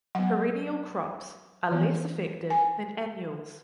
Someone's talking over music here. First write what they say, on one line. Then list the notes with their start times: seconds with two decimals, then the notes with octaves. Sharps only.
Perennial crops are less affected than annuals.
0.15 F#3 B3 F#5
1.71 E3 B3
2.50 G#5